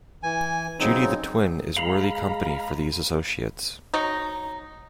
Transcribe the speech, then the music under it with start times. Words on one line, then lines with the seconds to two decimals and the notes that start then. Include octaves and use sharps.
Judy the twin is worthy company for these associates.
0.23 E3 G#5
0.80 C#3 F#3 C4 D#4
1.77 G#3 F5 A#5 B5
3.94 F#3 D#4